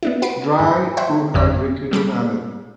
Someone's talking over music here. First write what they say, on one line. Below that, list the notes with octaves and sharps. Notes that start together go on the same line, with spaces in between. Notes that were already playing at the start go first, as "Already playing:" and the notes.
Dry who had recruited Allen.
B3 D4 E4
F#4 B4 C7 D7
G#2
C5 C#5 E5 G5 F#6
G#1 F2 D3 G3 D5 B6
F#3 G3 A5 B5